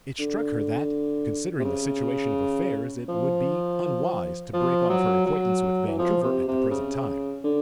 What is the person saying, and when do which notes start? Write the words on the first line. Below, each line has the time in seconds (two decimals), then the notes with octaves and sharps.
It struck her that, considering the situation of affairs, it would be unwise to break off her acquaintance with Vancouver at the present time.
0.19 D3
1.59 C3
1.64 C#3
3.09 F3
4.54 F3
4.90 F#3
5.26 F#3
5.88 E3
5.99 F3
6.23 C3
6.48 C3
6.71 C#3
7.44 D3